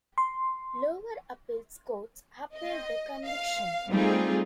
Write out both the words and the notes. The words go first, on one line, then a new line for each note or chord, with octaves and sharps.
Lower appeals courts upheld the conviction.
C6
D#5
F5
G3 A3 C4 D#4 F4 G#4